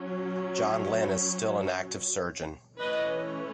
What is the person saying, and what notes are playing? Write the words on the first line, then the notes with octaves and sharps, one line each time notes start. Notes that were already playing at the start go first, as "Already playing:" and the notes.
John Lynn is still an active surgeon.
Already playing: F#3 C#4
E3 A3 C#4 B4 D#5